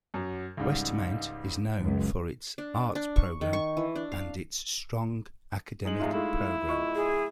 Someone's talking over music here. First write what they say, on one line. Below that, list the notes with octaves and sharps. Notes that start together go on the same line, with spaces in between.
Westmount is known for its arts program and its strong academic program.
F#2 F#3
C#2 G#2 G3
C#2 F#2
D4
D4
C#6
D#3
C#6
E3
D4
F5
G#3 D#4 F#7
F1 G#2 D#4 F4 E5 F5
G#3 A3 E4 F4
D1 F4 D#5 C#6
G#4